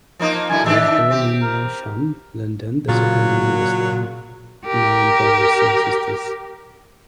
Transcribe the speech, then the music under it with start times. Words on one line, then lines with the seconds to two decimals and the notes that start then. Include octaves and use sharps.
He was born in Lewisham, London, the second youngest of nine brothers and sisters.
0.19 F3 A#3 D#4
0.49 F#2 D3 E4 G#5
0.66 D#3 D4 G4 E5
1.10 C4 G4
1.42 A#4
2.88 A#2 C#3 F#3 F4
4.67 G4 A#4